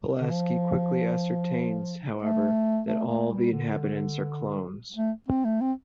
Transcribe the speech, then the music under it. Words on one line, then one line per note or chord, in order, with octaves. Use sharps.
Pulaski quickly ascertains, however, that all of the inhabitants are clones.
D3
F3
A3
A3
A3
G3
D3
A3
C4
A3
C4